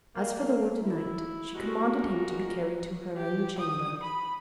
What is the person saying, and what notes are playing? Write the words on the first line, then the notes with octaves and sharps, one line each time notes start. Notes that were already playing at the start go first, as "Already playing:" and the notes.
As for the wounded knight she commanded him to be carried to her own chamber.
A#3
E4
G3 G#3 B3 F#4 A#4
G4
D#6
B5